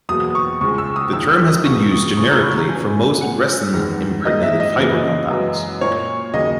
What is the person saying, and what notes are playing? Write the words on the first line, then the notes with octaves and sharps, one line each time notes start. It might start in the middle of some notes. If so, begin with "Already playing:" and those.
The term has been used generically for most resin impregnated fibre compounds.
E2 B2 F#3 A#3 D#6
C#6
C#2 C#3 G#3 C#6
E6
D#6
D#2 D#3 G#3 E6
E6
D#6
E2 B2 A#3 C#6
D#6
C#2 C#3 G#3 C#6
A#5
B5
A#5
F#2 C#3 E3 G#5
A#2 G#3 F#5
E2 D#3 G#3
G#2 D#3 A#3 D#5
E5
D#5
F#2 C#3 E3 A#3
F#2 E3 G#3
A#2 A#3 C#5
D#2 C#3 F#3 A#3 D#5